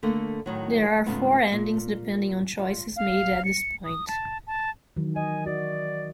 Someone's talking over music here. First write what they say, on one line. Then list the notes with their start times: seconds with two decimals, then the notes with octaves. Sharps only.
There are four endings depending on choices made at this point.
0.03 D3 A3 A#3
0.46 A2 D#3 F#3
1.06 G#2 C#3 A3 B3 F4
1.52 A#2
2.59 F4
2.96 F5
3.45 C#7
3.84 D#6
4.08 A5
4.47 A5
4.96 D#3 E3 F#3
5.16 D#5 G#5
5.46 F#4 D5